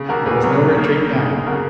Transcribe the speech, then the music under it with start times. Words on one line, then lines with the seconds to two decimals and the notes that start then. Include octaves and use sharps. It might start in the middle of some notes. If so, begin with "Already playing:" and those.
There was no retreat now.
Already playing: C#3
0.09 D#2 F#4 A#4
0.26 D#2 G#4 B4
0.43 F#3 A#4 C#5
0.61 C#3
0.78 A#3
0.95 D#4
1.12 C#3
1.30 C#3
1.47 C#3 F#4 A#4